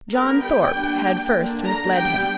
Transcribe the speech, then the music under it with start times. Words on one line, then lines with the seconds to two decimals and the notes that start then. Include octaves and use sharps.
John Thorpe had first misled him.
0.15 D3 G3 B3 A#4
0.44 G5
0.74 G3 A#3 D4
1.34 D3 A#3 D4
1.63 A#5
1.92 G3 B3 D4 G5